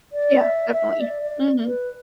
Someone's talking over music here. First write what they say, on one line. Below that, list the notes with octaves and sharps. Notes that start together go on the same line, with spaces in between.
Yeah. Definitely. Mhm.
D5
E5
E5
D5
D5
B4